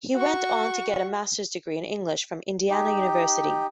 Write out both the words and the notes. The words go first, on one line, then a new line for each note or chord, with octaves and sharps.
He went on to get a master's degree in English from Indiana University.
F#4 C#6
D#4 G4